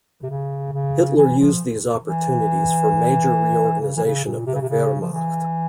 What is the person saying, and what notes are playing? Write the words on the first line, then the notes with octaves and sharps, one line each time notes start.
Hitler used these opportunities for major reorganization of the "Wehrmacht".
C3
C#3
C#3
E3
F3
E3
C#3
E3
C#3
A#2
C3
C#3
C3
C#3
F3
E3